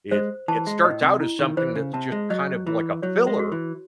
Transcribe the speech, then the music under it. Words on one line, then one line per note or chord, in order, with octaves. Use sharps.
it it starts out as something that's just kind of like a filler,
G#3 C5
E3 A5
G#3
A2 D#5
C3
E4
D#3
E3 C5
C#3
C3 A5
G#3
F#3 D#5
E3 E4
F#3 C#5
G#3
F#4
E3